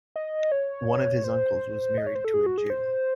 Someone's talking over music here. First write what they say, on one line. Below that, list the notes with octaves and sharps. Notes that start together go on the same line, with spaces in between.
One of his uncles was married to a Jew.
D#5
C#5
C5
D#5
C#5
C5
A4
G#4
F#4
G#4
C5